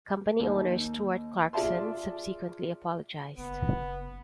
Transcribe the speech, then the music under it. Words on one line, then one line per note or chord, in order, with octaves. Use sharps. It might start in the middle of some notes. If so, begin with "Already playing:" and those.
Company owner Stuart Clarkson subsequently apologised.
D#2 D#4
F4 G#4 D5 E5 A5 C6
F#1 B3